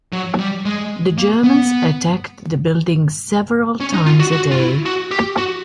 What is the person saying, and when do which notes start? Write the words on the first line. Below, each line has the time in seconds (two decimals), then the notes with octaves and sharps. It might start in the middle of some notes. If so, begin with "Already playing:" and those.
The Germans attacked the building several times a day.
0.13 F#3
0.39 G3
0.65 G#3
1.18 A#3
1.44 B3
3.80 C#4
3.93 D#4
4.06 F4
4.20 F#4
4.32 F#4
4.52 F4
4.59 E4
4.86 F#4
5.11 G4
5.38 F#4